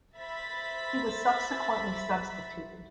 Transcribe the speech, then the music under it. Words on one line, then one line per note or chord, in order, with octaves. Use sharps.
He was subsequently substituted.
C5 E5 B5 A6 B6